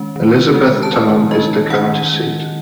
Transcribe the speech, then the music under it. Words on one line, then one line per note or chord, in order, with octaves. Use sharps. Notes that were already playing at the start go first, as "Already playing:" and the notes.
Elizabethtown is the county seat.
Already playing: D#3 G#3 C#4
D#3
G#3 C#4
A5
D#3 G#5
G#3 C#4 D#5
D#3 F#5